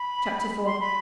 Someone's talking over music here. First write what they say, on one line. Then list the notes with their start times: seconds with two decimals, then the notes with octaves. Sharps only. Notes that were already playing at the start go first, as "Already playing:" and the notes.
Chapter IV.
Already playing: B5
0.66 C6
0.80 B5